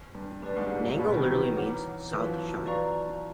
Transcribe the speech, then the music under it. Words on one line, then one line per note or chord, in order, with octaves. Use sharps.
Nango literally means "south shire".
G2
G2 G4 B4 D5
G#2
G#2
A#2
B2
D#3
E3
C#5 F#5 A#5 D6 F6
E3
F#3
F3
B4 D5 F5 A#5 C#6